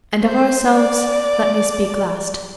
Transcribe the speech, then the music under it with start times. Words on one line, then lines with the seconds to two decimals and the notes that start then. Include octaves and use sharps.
And of ourselves let me speak last.
0.22 C5
0.74 D5